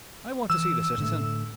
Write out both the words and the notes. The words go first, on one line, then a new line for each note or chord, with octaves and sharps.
I want to see the citizen.
E3 E6
A2 D3 A3